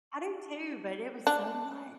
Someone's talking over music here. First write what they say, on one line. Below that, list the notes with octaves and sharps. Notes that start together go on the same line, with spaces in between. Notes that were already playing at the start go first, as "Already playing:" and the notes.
I do too, but it was so much.
D4